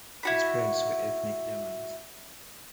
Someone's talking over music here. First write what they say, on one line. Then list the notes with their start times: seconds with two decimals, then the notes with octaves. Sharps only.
His parents were ethnic Germans.
0.23 E4 F#4 B5